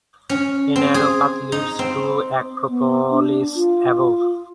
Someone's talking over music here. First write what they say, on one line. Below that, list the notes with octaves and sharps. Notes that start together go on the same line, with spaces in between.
A narrow path leads to the acropolis above.
C#4
C4
G#4
D#4
C4
B3
D4
F4